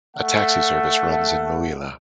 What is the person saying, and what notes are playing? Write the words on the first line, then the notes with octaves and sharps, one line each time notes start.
A taxi service runs in Mouila.
A3 F#5